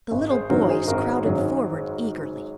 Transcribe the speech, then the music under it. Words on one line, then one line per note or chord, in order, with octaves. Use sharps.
The little boys crowded forward eagerly.
G#1
G#4 C5
G#2 D#3 F#3 F#4 A#4
G#4 C5
G#1 F#4 A#4
G#2 D#3 F#3